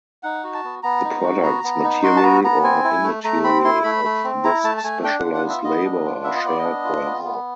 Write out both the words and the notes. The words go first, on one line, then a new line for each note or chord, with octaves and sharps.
The products, material or immaterial, of this specialized labor are shared by all.
D#4 F#5
F#4
A5
B3
B3 A#5
D#4
F#4
B3 A#5
B3
D#4
F#4 C6
A5
B3 A#5
B3 A#5
C4 G#5
E4
A3
A3 A#5
C4 B5
E4 C6
A3 B5
A3
C4
E4 A#5
A3 A5
A5
A3 G#5
D4 G5
F4 F#5
F#5
B3
E5
B3 D#5
D4
F4
B3 E5
D#5
B3 D5
D#5
D4
F4
B3
B3